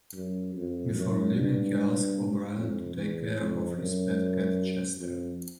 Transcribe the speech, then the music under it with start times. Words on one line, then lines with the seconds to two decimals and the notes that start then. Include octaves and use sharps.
Before leaving, he asks O'Brien to take care of his pet cat Chester.
0.14 F#2
0.55 F2
0.95 F#2
1.36 G2
2.56 F2
2.96 E2
3.37 F2
3.78 F#2
4.98 F2